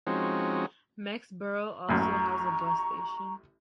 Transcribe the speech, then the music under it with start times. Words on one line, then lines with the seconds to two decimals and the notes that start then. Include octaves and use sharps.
Mexborough also has a bus station.
0.07 F3 G#3 C4 C#4 D#4 F#4
1.89 A1 F#2 A#5 C#6